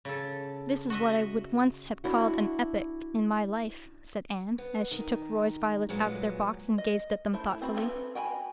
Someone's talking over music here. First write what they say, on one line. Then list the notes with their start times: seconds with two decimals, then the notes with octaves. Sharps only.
"This is what I would once have called an epoch in my life," said Anne, as she took Roy's violets out of their box and gazed at them thoughtfully.
0.05 C#3 A4
0.90 F#4 D#5 E5
2.04 D4 E4 F#4
4.58 B3
4.91 D#3
5.89 A#2 F#3 G#3 B3
6.78 D#5
7.33 A3 E4 C5
7.61 B3 C4 F#4 B5
7.75 C4 D#4 E4 A4 B4
8.15 F#4 G5 G#5 A#5 B5